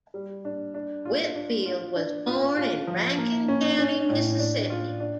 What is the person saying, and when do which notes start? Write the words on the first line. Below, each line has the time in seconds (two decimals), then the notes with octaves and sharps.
Whitfield was born in Rankin County, Mississippi.
0.14 G3
0.45 D4
0.74 D4
1.05 F4
1.36 D4
1.66 F4
1.96 D4
2.27 F4
2.57 F4
2.87 F3
3.18 A#3
3.48 C#4
3.78 C#4
4.09 A2
4.39 D4
4.70 F4
5.00 D4